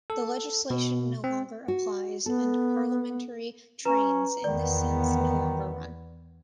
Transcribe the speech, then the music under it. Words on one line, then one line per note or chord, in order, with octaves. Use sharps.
The legislation no longer applies and "parliamentary trains" in this sense no longer run.
A4
B2
C4
F#4
B3 A4
C#4 B4 A#5
E2 D#3 B3 D5